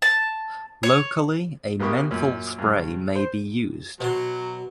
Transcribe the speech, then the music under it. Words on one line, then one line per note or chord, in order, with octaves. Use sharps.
Locally a menthol spray may be used.
A5
C#5
A#1 A#3 B3 G4 C#6 D#6
F#2 A#2
G2 C#3
C5
B2 F#3 C6